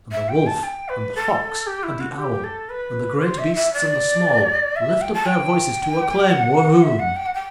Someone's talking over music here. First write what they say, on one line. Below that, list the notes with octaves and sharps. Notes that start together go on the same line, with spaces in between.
And the wolf and the fox and the owl, and the great beasts and the small, lift up their voices to acclaim Wohoon.
E5
G5
A5
G5
B4
A4
G4
E4
F#4
G4
A4
B4
C5
E5
E5
D5
E5
G5
A5
G5
F#5
E5
F#5
G5
F#5
G5